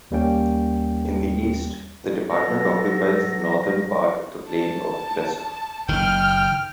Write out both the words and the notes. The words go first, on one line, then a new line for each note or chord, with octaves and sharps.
In the east, the department occupies the northern part of the plain of Bresse.
D#2 G3 A#3 C#4 G5
B2 F#3 A4 A#6
A5
F#1 D#3 G5 F6